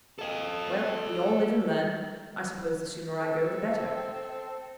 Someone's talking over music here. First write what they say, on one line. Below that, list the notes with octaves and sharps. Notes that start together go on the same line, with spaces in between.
Well, we all live and learn. I suppose the sooner I go the better.
A4 D#5
C4 A4